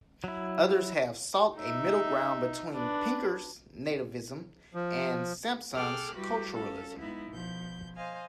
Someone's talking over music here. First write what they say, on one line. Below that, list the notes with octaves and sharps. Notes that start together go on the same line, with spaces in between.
Others have sought a middle ground between Pinker's nativism and Sampson's culturalism.
F#3 E4
D#4 E5
D4 B4
F3
G#4 A4 G5 D6 F6 F#6
G3 E4 F#4 G4 B4
C#4 A4 F5
G#3 B3 D#4 E4
B2 F3 G6
C5 D#5 F5 G#5